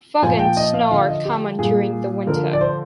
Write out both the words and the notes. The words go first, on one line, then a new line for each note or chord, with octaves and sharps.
Fog and snow are common during the winter.
A#2 F3 G#5
G5
D#5
F5
D3 F3 F5
D#5
G4
A#2 G3 G#4
D3 F3 A#4
D5
C5